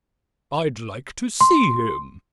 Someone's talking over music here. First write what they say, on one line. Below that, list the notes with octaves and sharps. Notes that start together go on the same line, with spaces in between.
"I'd like to see him."
C6